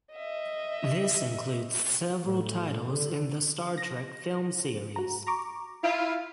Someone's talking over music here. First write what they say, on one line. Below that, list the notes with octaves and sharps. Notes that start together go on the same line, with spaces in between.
This includes several titles in the "Star Trek" film series.
D#5 E5
A2
D3
A#6
F#4 A#5
A#5 C#6 D6
E4 F4 F6